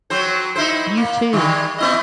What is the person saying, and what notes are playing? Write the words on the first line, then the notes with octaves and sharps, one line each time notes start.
You too.
F#3 C4 C5
D#4 E4 C5
A#3
D#3 G3 G#3
B3 E4 D#5